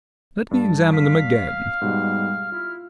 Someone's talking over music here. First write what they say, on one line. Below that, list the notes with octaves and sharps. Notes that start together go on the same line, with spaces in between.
Let me examine them again.
G2 A5
F5 B6
F6
G#2 B2 G3
E4 F4